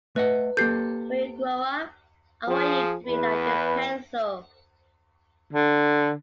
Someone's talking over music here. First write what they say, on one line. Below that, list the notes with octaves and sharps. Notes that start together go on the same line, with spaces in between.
When you grow up, I want you to be like this pencil.
A3 B4 D#5 F#5
A#3 G4 A4 G6 C7
F3 G#4
E2 B4
D3